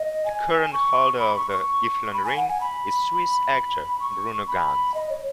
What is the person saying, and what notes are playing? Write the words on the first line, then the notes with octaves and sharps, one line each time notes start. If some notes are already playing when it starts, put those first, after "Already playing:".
The current holder of the Iffland-Ring is Swiss actor Bruno Ganz.
Already playing: D#5
G#5
C#6
B5
C#6
C#6
B5
G#5
F#5
G#5
B5
C#6
B5
D#5
C#5